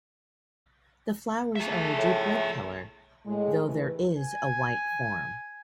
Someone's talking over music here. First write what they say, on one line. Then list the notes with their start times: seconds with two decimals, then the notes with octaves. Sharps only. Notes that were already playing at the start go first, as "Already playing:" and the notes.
The flowers are a deep red colour, though there is a white form.
1.56 A3 G#4 E5
1.98 A2
3.26 A2 G#3
3.64 E3 A3 G4 B4
4.18 G#5